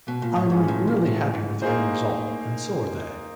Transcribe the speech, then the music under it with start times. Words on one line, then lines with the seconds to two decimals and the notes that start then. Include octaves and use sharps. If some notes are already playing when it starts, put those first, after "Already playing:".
I'm really happy with the end result and so are they.
0.08 B2
0.22 A#2
0.36 A2
0.50 G#2 E3 G#3 C#4 F4
0.68 A2
0.87 A#2
1.06 A2
1.34 G#2
1.61 A2 A#3 D#4 G#4 C5
1.80 A2
1.99 A2
2.17 A2